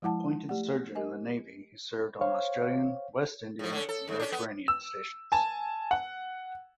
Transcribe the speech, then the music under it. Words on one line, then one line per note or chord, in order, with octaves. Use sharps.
Appointed surgeon in the Navy he served on Australian, West Indian and Mediterranean stations.
F3 G#3 E4 F#5 A5
A3 G4 D5 F#5
G4 A#4 D#5 G#5
C5 C#5 F5
A2 F3
D3 C#4
A4
D#2 C#3
C#4 D4
B3
E6
G#5 A5
F#5